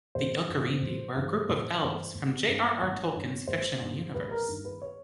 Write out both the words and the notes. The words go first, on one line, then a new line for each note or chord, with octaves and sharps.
The Ilkorindi were a group of Elves from J. R. R. Tolkien's fictional universe.
A1 C5
G2 E3
A1
G2 E3
A1
G2 E3
G#1
G2 D#3
G#1 C#5
G2 D#3
G#1 C5
G2 D#3
G#1 B4
A#4
G2 D#3
B4
C#5